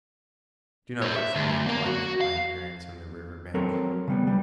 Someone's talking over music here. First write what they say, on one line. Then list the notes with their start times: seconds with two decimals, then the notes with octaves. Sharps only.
Do not look for me until I make my appearance on the river-bank.
1.02 A#4 C#5
1.16 E5
1.35 D2
1.66 A#3 A#4
1.86 F#4
2.21 F5
3.54 F#3 C4 A4 A#4 C#5
4.08 C#3 G3 B3
4.27 C#2 G3